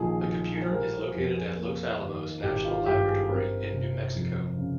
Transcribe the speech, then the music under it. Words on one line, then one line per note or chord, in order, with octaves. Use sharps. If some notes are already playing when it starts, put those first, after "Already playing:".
The computer is located at Los Alamos National Laboratory in New Mexico.
Already playing: A#1 D#3 G#4
A#2
C5
G3 A#4
C5
F2 A#4
G#4
A#3
D#3
G#1 G4
F4
G2 G4
G#4
C4 A#4
C3
F2
C#3